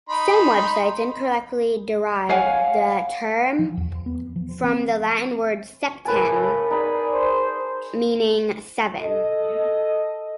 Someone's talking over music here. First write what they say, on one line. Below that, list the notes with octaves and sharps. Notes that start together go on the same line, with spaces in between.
Some websites incorrectly derive the term from the Latin word "septem", meaning "seven".
D#4 B5 C6
C#5 F5 F#5 G#5
F3
E2
B3
F3
C4
A2 C#3 A#4 B4 G#5 A5
D#4 G#4 D5 B5
C5
A4 D#5